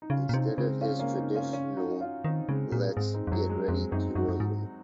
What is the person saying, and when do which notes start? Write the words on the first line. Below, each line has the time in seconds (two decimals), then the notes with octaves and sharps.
Instead of his traditional Let's get ready to rumble!
0.02 D#4
0.10 C#3 C#4 F4
0.29 A#2
0.34 C3 C4 D#4
0.58 C#3 G#3 C4
0.81 C#4 F4
0.99 A#3 C#4
1.17 C4 D#4
1.35 C#4 F4
1.53 C#4 F4
1.77 D#4 F#4
2.01 C#4 F4
2.24 D#3 C4 D#4
2.49 C#3 G#3 C4
2.72 A#2 G#3
2.96 G#2 G#3 C4
3.14 C4 D#4
3.27 F2
3.32 F#2 F#3
3.50 G#3
3.68 F2 G#3 C4
3.91 F#2 C4 D#4
4.15 F#2 D#4 F#4
4.29 F#2
4.40 G#2